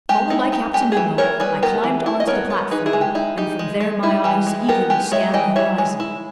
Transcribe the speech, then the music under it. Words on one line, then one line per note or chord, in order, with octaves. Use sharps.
Followed by Captain Nemo, I climbed onto the platform, and from there my eyes eagerly scanned the horizon.
G#3 G4
D#4 E4
D#4 G4
G#3 G4
G#4
E3 G4
E3 A#4 C#5
G3 G#4 B4
B3 G4 A#4
E3
E4
D#5
B3 A#4 C#5
B3
D#4 G#4 B4
E4 G#4
G#3
G4
D#4 E4
D#4 G4
G#3
G#3
D#4 E4
E3 G4
G#3
B3 G4 A#4
G#3 G4
G#3 C#5 E5
E3 D#5 G5
E4 C#5 E5
G#3
E4